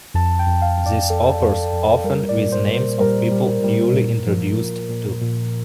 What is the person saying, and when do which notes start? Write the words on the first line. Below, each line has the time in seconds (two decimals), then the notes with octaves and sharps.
This occurs often with names of people newly introduced to.
0.14 F2 A5
0.39 G5
0.47 F2
0.62 F5
0.78 F2
0.86 D5
1.10 F2 A4
1.41 F2
1.73 F2
2.04 G3 A#4
2.29 D5
2.37 A#2
2.52 C5
2.68 A#2
2.75 C5
3.00 G3 A#4
3.31 G3
3.63 G3
3.94 A#2
4.26 F3
4.57 A#2
4.89 A#2
5.21 A#2